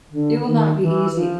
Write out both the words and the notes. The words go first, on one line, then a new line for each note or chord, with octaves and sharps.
It will not be easy.
D3
D#3
E3
F3